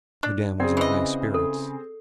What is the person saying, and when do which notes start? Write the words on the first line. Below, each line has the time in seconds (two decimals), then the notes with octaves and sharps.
Madame was in high spirits.
0.23 D4
0.60 C#3 C4 G#4 D5 F#5
0.77 E3 D#5
1.34 A4